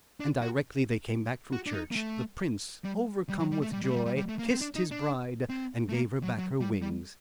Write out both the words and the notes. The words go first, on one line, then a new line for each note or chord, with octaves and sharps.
And directly they came back from church the prince, overcome with joy, kissed his bride, and gave her back her wings.
D4
F#4
F#4
D4
D#4
A#3
A3
G3
G3
F#3
G3
A3
G3
G3
A3
G3
G3
G3
A3
A#3
C4
D4
D#4
D4
C4
A3
A#3
F#3
F#3
G3
G3